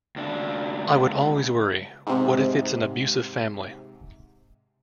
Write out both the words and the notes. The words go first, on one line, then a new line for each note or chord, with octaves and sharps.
I would always worry: what if it's an abusive family?
C#2 D4
G#2 C3